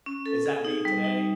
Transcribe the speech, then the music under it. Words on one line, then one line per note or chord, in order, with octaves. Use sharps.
Is that me today?
C#4
A4
G#4
D#4
G3
D#4